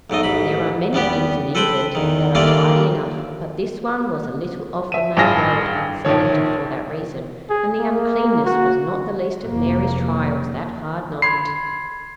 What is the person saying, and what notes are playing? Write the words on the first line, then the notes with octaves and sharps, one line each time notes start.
There are many inns in England that are tidy enough, but this one was a little off the main road--selected for that reason--and the uncleanness was not the least of Mary's trials that hard night.
B1 G#2 A3 D#5
A1 G#2 B5
E2 G3 B3 G4
A4 B4 C5 G5 A5 B5
E2 D#3
D#3 G3 A3 A#3 F4 D5
E5 D#7
A1 G2 D4 F4 G#4 A#6
A#1 D#3 F3 C#5
G#4
A#3
F#4
F1 A#3
B5 C6 G#6 C7